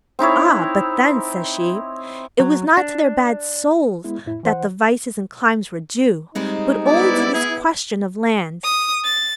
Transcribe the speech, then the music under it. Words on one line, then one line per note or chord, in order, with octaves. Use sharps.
'Ah, but then,' says she, 'it was not to their bad souls that the vices and climes were due, but only to this question of land.
C4 D#4 E4 C#5
F#3
D4
G#3 B3 E4
F2 A2 E4
E3 C5 F#5
G3 G#3 C4 D#4
B3 E4 D5
G#4
D#6
A6